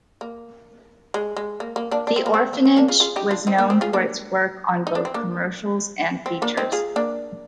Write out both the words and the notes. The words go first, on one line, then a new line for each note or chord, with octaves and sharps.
The Orphanage was known for its work on both commercials and features.
A#3
G#3
G#3
A#3
A#3
A#3 D4
D4
C4
A#3
C4
A#3
C4
A#3 D4
F4 G#4
F4 G#4
D#4 G4
D4 F4
C4 D#4
A#3 D4
C4
F4 G#4
A#3 D4
D#4
D4
C4
A#3 D4
C4
A#3 D4
C4 D#4
F4 G#4
A#3 D4